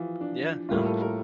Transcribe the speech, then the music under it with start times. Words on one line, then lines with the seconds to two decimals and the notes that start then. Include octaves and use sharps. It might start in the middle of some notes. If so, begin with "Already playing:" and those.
Yeah. No.
Already playing: E3 F3
0.21 D4
0.69 A2 G3 A#3 F4
0.85 A4
1.02 A#4